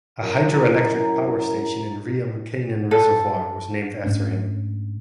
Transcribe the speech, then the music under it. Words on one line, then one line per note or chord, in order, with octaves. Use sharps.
A hydroelectric power station in Riam Kanan Reservoir was named after him.
F#2 E4 A#5
A4
G#2 A3 C#4 D4